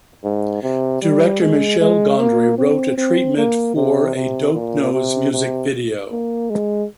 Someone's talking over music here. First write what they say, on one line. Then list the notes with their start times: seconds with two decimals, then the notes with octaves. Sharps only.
Director Michel Gondry wrote a treatment for a "Dope Nose" music video.
0.24 G#2
0.63 C3
1.02 G3
1.41 G#3
1.80 G#3
2.19 A#3
2.58 C4
2.97 C4
3.37 A#3
3.76 C3
4.15 C3
4.54 A#2
4.93 C3
5.33 C3
6.11 A#3
6.50 G#3